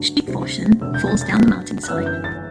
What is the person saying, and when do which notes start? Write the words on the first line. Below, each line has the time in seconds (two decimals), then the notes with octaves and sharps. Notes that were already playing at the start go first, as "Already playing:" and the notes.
Stigfossen falls down the mountainside.
Already playing: G2 D3 F#3 A3
0.27 D2 C3 G3 C4
0.81 E1 D2 C3 E6
0.94 G6
1.07 A6
1.21 A6
1.34 G2 F#3 B3 B6
1.83 F#6
1.88 G1 F#2 E3 B3 E6
2.06 G6
2.24 A6